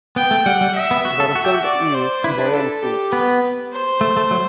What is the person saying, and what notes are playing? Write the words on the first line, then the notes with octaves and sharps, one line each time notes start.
The result is buoyancy.
B3 G5
A3
G3 F#5
G3
E5
B3
F#4
A4
F#4
G4
F#4
D5
C5
E4 B4
D4
A4
G4
B3 B4
C5
A3
A3
F#3